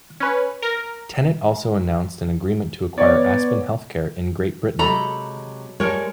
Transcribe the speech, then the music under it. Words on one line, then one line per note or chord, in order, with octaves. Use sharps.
Tenet also announced an agreement to acquire Aspen Healthcare in Great Britain.
C#4 B4
A#4
B3 C#5 D5
C3 F#3 G#3 A4 A#5 B5
G3 G#3 A4 A#4 C#5